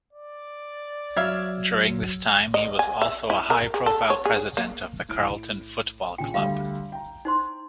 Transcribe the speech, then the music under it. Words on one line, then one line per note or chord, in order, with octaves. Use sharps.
During this time he was also a high-profile President of the Carlton Football Club.
D5
F#3 C#5 E5 F5 E6 F6 G#6
D#5
G#5
E5
E4
A#4
G#4
A4
C#5
G#4
A#3
A2 D7
A#2 C#3 D4 G5
D2 G3 F5
G5 A#5
D#4 C5 C6